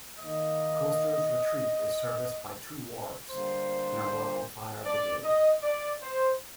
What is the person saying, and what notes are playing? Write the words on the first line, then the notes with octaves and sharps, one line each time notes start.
Coasters Retreat is serviced by two wharves, and a rural fire brigade.
D#3 A#3 D#4 D#5
D3 G3 A#3 D4 C5
D5
D#5
D5
C5